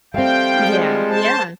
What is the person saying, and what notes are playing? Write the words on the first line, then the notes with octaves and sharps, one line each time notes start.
Yeah, yeah.
F3 G3 A3 C4 F5 G5
G#3
C5 A5